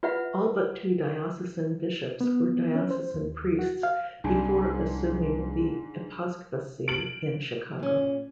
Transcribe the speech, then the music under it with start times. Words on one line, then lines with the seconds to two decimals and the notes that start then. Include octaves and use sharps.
All but two diocesan bishops were diocesan priests before assuming the episcopacy in Chicago.
0.03 F4 B4 E5 F#5 B5
2.21 B3
2.75 C#4
2.91 C5
3.14 D#2
3.59 F#4
3.83 F5
4.24 C2 G#2 D4 G#5 A5
6.88 D7 F#7
7.79 A#2 C#4